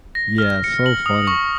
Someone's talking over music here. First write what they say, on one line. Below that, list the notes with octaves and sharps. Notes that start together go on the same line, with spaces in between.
Yeah, so funny.
A#6
F6
C#7
F#7
D#6
C#6